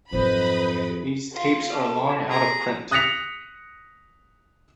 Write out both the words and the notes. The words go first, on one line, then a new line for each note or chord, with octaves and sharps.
These tapes are long out-of-print.
F2 G#2 F#3 B4 C5 D#5 B5
F4
A4
G#4 A#5
D#6 F#6 A#6 B6 C#7 F7